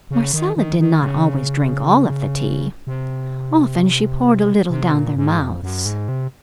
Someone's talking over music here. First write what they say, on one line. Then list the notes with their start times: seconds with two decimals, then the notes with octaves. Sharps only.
Marcella did not always drink all of the tea, often she poured a little down their mouths.
0.11 C#3
0.34 D#3
0.56 D#3
0.79 D#3
1.03 C#3
2.87 C3
4.70 C3
4.94 A#2
5.17 G#2
5.40 F2
5.63 F#2
5.85 G#2
6.08 C3